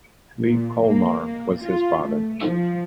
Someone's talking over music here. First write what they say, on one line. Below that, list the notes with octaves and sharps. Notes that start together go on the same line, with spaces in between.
Lee Kohlmar was his father.
A#2
A#3
A#3
F4
A3
F3